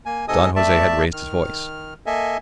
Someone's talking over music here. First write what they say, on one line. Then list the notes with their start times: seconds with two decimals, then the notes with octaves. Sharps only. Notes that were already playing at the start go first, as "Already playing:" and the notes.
Don Jose had raised his voice.
0.06 A#3 G#5
0.28 G#2 C3 A4 D#5 G#5 D#6
0.56 A3 D5 E5 A5
1.13 D#3 F6
2.06 A#3 A4 D#5 E5 G#5